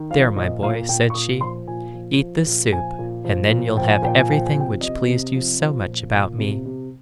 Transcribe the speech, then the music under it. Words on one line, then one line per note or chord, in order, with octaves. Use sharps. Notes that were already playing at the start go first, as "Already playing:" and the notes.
'There, my boy,' said she, 'eat this soup and then you'll have everything which pleased you so much about me.
Already playing: D#3
F3 F5
A#2 D#5
A#2 F5
A#2 G5
C#6
A#2 D#6
F3 C6
A#2 G#5
F3
F3
A#2
F3 G#5
A#2
F3
A#2
F3 G5
G#5
A#2 G5
G#5
F3 G5
G#5
C3 G5
C3 D#5
C3
F3
F3
A#2
A#2
C3
C3